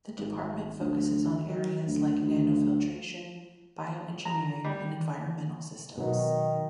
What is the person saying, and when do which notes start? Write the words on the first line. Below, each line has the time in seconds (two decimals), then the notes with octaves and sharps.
The department focuses on areas like Nanofiltration, Bioengineering and Environmental systems.
0.18 G#1
0.80 D2
1.49 F#3
1.86 D2
2.22 D2
4.25 A#5
4.65 G3
5.98 B2 D#3 F#3